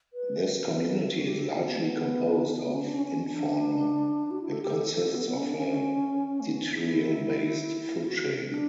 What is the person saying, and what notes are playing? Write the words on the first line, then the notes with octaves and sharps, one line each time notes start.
This community is largely composed of infauna and consists of a detrital-based food chain.
B4
B4
A4
F#4
G4
A4
F#4
B3
A3
B3
B3
C#4
D4
C#4
C#4
D4
F#4
E4
A4
G4
A4
A4
B3
B3
C#4
D4
C#4
A3
B3
D4
E4
E4
F#4
D4